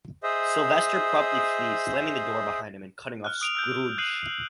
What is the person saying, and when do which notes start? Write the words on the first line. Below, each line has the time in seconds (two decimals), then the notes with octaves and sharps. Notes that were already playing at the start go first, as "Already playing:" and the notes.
Sylvester promptly flees, slamming the door behind him and cutting off Scrooge.
0.23 G#4 C5 D#5 E5
3.24 F6 F#6
3.41 D#6 D7 F7
3.55 E6 F#6 G6
3.98 D#6 F#6 G6 C7 D#7 F#7